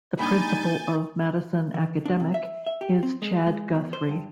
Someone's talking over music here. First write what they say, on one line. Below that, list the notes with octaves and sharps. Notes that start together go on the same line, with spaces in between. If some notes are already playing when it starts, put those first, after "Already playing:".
The principal of Madison Academic is Chad Guthrie.
G3 A#3 D4 D#4 G#5 B5 G6 A6
E3
D4
C3
E5
E5
G4
C4
G#3
G#3
E2
C5
G2